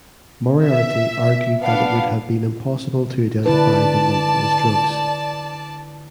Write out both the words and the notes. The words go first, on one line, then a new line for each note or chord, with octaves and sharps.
Moriarty argued that it would have been impossible to identify the lump as drugs.
E5
B3 D4 F5
D3 E4 B4 D5 A5